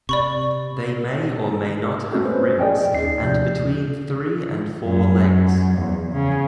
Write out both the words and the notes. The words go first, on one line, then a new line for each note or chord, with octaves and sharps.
They may or may not have rims and between three and four legs.
C3 D5 B5 C#6
A3 C4 C#4 F#4 A4
B3 C#4 B4 C5
G#4 D5 D#5 G5 G#5
D#2 C#4 D#4 C7
C3 F3 D5 G6
F#2
E2
C#3